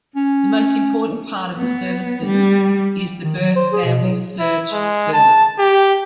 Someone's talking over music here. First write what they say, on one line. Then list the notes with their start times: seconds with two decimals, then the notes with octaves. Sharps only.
The most important part of the services is the Birth Family Search service.
0.16 C#4
1.58 B3
2.26 G3
3.22 D#3
3.40 F#3
3.56 C5
3.73 G#4
3.85 B2
4.02 F#3
4.39 E4
4.73 G#3
5.13 A5
5.59 G4